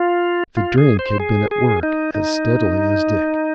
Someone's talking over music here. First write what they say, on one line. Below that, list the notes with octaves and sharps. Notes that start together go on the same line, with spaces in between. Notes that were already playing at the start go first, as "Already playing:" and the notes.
The drink had been at work as steadily as Dick.
Already playing: F4
F4
G#4
C5
G#4
G#4
D#4
D#4